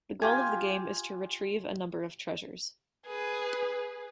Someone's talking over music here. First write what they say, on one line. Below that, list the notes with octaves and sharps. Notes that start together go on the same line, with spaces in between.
The goal of the game is to retrieve a number of treasures.
F4 G4 G#5
G#4 B4